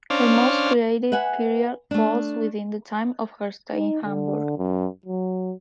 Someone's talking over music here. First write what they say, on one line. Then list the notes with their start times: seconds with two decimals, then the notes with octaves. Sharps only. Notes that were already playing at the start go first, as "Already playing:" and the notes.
Her most creative period falls within the time of her stay in Hamburg.
0.10 C#4 D4 C5 F5
1.12 B4 E5 F#5 G#5
1.91 A3 D4
3.73 D#4
4.04 D3
4.58 F#2
5.06 F#3